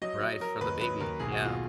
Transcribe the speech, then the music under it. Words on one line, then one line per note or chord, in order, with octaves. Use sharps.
Right, for the baby, yeah.
F#3 D#5
F#3
F#3 A#4
D#2 B4
F#3 B4
D#2 A#4
B1 G#4
F#4
B2
F4